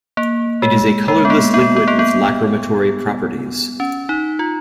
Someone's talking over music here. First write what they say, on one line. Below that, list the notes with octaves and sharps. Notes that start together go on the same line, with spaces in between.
It is a colorless liquid with lacrymatory properties.
A#3
G#3
G#3
B3
A#3
B3
B3
A#3
B3
C#4
D#4
F4